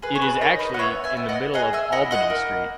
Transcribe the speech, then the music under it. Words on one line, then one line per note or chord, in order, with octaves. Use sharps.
It is actually in the middle of Albany Street.
G#4 B4
C#5
B4
D#4 A#4 C#5
B4 D#5
F#5
B3 C#5 E5
E5 G#5
B3
D#5 F#5
G#4 D#5 F#5
E5 G#5
E4 D#5 F#5
D#5 F#5
A#3